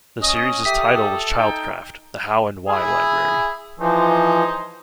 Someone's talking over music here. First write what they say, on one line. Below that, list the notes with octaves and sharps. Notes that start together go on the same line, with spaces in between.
The series' title was Childcraft - The How and Why Library.
C#4 D#5 D#6
G4 A4 E5 B6
D#4 G5
E4 G#4
E3 F3 D#4 G#4 C5